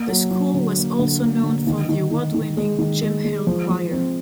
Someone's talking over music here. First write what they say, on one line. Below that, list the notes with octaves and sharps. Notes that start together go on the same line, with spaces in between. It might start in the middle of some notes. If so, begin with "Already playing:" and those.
The school was also known for the award winning Jim Hill Choir.
Already playing: A#3
F#3
F#3
D3
A#3
D3
A#3
D3
D#3
D#3
D#3
D#3
G#3
D#3
G#3
G#3
F3
F3
C4